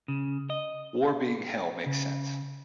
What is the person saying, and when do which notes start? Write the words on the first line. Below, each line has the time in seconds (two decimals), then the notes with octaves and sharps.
War being hell makes sense.
0.08 C#3
0.50 D#5
1.86 C#3